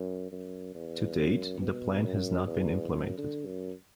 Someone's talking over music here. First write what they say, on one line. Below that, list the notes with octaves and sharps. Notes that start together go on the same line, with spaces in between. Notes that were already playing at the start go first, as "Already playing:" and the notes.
To date the plan has not been implemented.
Already playing: F#2
F#2
E2
F#2
B2
F#2
E2
F#2
D3
F#2